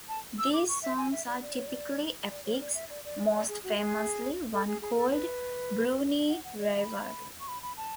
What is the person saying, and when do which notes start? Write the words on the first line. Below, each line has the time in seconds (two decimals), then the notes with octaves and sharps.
These songs are typically epics, most famously one called "Burunee Raivaru".
0.09 A5
0.38 E6
0.53 D6
0.68 C#6
0.83 E5
0.98 G#5
1.12 E5
1.28 D5
1.42 D5
1.54 C#5
1.67 D5
2.30 D5
2.45 C#5
2.61 D5
2.75 E5
2.90 D5
3.05 D5
3.34 D5
3.48 G#4
3.64 F#4
3.78 G#4
4.52 A4
4.67 G#4
4.82 G#4
4.97 A4
5.11 B4
6.29 F#5
6.44 F#5
6.59 D5
6.69 E5
6.79 B5
7.40 C#6
7.48 B5
7.63 B5
7.77 A5